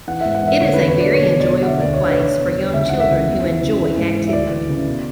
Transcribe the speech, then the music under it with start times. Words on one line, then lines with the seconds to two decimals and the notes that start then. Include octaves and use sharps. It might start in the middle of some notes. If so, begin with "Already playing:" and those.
It is a very enjoyable place for young children who enjoy activity.
0.07 E3 F#5
0.21 E5
0.25 G#2
0.35 F#5
0.43 E3 E5
0.60 D3 C#5
0.74 B4
0.79 E2
0.88 C#5
0.96 D3 D5
1.13 B2 C#5
1.32 E2
1.40 D5
1.49 B2
1.63 F#5
1.67 D3 E5
1.80 D2 D5
1.93 C#5
2.03 D3 B4
2.20 D3 C#5
2.39 E2
2.56 D3
2.73 C#2 E5
2.90 E3 F#5
3.00 E5
3.09 C#3
3.27 E2
3.44 E3
3.62 C#3
3.80 E3
3.98 G#2
4.15 E3
4.28 E5
4.33 D2 D5
4.51 E3
4.69 C#3
4.86 B2